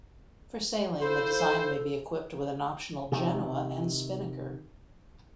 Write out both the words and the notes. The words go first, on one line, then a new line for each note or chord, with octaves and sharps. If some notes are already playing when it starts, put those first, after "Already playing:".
For sailing the design may be equipped with an optional genoa and spinnaker.
E4 F4 A4 C5
C3 D#3